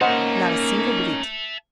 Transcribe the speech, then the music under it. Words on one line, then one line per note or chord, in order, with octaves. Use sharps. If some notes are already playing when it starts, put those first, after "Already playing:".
Not a single bleat.
A#3 C#4 D#4 C5 D#5 E5 F#5 A5